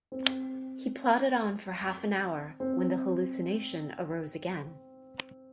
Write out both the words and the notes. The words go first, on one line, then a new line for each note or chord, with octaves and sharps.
He plodded on for half an hour, when the hallucination arose again.
C4
C4